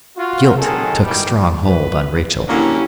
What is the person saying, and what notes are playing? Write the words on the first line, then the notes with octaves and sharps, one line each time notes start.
Guilt took strong hold on Rachel.
F4 F#4
D#3 F#3 G#3 G#4 A4
B2 D#3 E3 G3
B4
D3 F#3 A#3 C#4 E4 G4